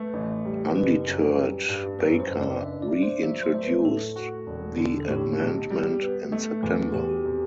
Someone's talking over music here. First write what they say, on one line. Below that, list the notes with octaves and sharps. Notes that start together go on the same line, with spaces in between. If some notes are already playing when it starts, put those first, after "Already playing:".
Undeterred, Baker reintroduced the amendment in September.
Already playing: A3 B4
A1
G3
F#1 B4
F#2
G3
G2
F#2 B4
C5
F#1
D5
D4 E5
D5
D4
C5
F#3 E5
C5
A3
B4
A2 A4
F#4
E1
D3
A4
A2 G4
B1
G3
B3
A3 A4
E2 B4
E2 G4
F#4
C3